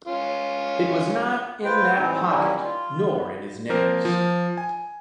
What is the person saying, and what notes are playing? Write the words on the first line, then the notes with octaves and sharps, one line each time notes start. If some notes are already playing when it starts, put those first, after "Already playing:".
It was not in that pocket, nor in his knickers.
C#4 F4
F4 B4 C5 G5
A2 E3 C4 D#4
D#3 F#3 G3 A#3 C#4 E4
F4
B3
F3 A#3 C4 A#4 C5
F3
G#5